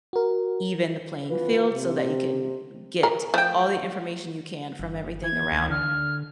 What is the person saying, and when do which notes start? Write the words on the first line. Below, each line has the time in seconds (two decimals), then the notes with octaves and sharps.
even the playing field so that you can get all the information you can from everything around
0.13 F#4 A#4
1.29 E3 B3 F4 B4
1.72 C3
3.03 A#4
3.34 F3 A3 G5
4.79 G1
5.23 E3 G#6
5.52 D2
5.70 D3 F6